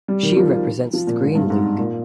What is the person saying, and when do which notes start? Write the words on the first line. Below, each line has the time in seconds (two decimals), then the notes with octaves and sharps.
She represents the Green League.
0.08 G3
0.23 D#3
0.36 F3
0.51 F3
0.93 F3
1.07 A#2
1.22 G#2
1.35 G2
1.50 G#2
1.78 A#2